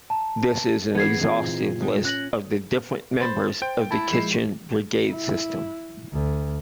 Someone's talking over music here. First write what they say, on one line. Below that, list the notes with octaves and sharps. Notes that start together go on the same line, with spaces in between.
This is an exhaustive list of the different members of the kitchen brigade system.
A5 A#5
E3 B3 G#4 G#6 C7
A#2 E3 C4 D#4 F4
G3 G#3
C#4 F#6 A#6 F#7
C5 B5 A6
C5 G5 G6 D7
E4 A5
F3 G#3 C7 E7
E4
D2